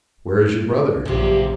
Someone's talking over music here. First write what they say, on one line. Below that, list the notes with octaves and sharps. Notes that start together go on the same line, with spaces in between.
"Where is your brother?"
A#1 G2 C#3 F#3 G4 C5